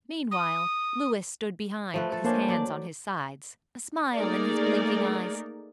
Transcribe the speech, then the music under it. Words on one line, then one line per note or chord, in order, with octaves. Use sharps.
Meanwhile, Louis stood behind, with his hands on his sides, a smile in his blinking eyes.
D#6
F3 A3 B4
A4
A#3 C#4 D4 C5 A5
F#3 D5
A3 A#3 D#4 G#4 A#4 D5